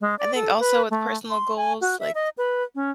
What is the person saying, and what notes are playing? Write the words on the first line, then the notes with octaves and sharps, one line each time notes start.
I think also with personal goals, like
G#3
D5
A4
B4
A3
C6
G#5
F#4
E5
D#5
B4
C#4